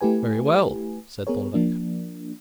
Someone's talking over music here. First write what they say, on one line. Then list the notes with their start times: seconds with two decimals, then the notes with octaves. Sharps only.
"Very well," said Thorndyke.
0.01 A3 E4 G4 B4 G#5
1.27 B3 G#4 A#4 C#5
1.54 F3 A#3 D4